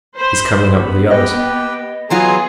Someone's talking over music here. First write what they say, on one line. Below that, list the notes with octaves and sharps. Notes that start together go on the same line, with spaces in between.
He is coming up with the others.
C5 B5
B3
G4 B4 D#5 G5
E3 F#3 B3 F4 G#4 G#5 A#5 C6